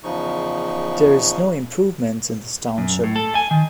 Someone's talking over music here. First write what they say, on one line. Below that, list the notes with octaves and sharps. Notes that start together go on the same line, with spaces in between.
There is no improvements in this Township.
E2 C#3 F3 D#4 C#6
F#2
A2
A4
G#5
D#3